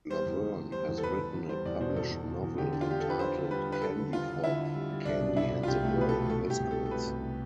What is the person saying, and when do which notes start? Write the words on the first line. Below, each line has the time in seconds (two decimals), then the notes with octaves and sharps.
Laverne has written a published novel entitled "Candypop: Candy and the Broken Biscuits".
0.10 G3 C5
0.26 E2
0.41 E2
0.57 E2
0.72 G3 C5
0.88 E2
0.98 A4
1.03 E2 B4
1.18 E2
1.34 E2
1.49 G3 C5
1.65 E2 D5
1.80 B2 C5
1.95 E2 A4
2.11 B2
2.27 E2
2.43 E2
2.58 D3 G4
2.73 D4
2.81 F4
2.89 D4 G4
3.00 D4 A4
3.10 B4
3.20 D4 C5
3.35 D3
3.51 G3 B4
3.66 D4
3.72 B4
3.82 D3 A4
3.98 D3
4.13 G3 F4
4.28 D3
4.44 D3 E4
4.59 D3
4.75 G3
4.90 G3
5.05 C2 D4
5.21 B2
5.36 C2 E4
5.52 C2
5.63 F4
5.68 C2 G4
5.83 A3
5.88 G4
5.98 B2 B4
6.09 A4
6.13 A3
6.29 A3 A4
6.45 C2 G4
6.60 C2
6.71 A4
6.76 B2
6.86 A4
6.91 A3 B4
7.06 C2